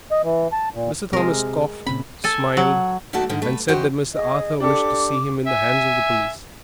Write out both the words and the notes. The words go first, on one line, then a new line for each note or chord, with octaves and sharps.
Mr. Thomas coughed, smiled, and said that Mr. Arthur wished to see him in the hands of the police.
D#5
E3
A5
A#2
C3 G#3 A#4
A#2 C#3 C4 B5
A4 G#5
F#3
D#2 D#3 A3 F#4 D5 A5
G#2 D3 D#3
A3 B4
E2 F#4 G4 C5 D#5
G#4 D#5
D4 G4 A4 D6
E5 G#5